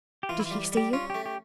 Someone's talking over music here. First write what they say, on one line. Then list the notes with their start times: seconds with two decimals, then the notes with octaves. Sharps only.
"Did he see you?"
0.23 G4
0.29 E3 F4
0.40 E4
0.46 F4
0.51 G3
0.72 G3 G4
0.93 C#4 F4
1.10 A3 G4
1.26 G4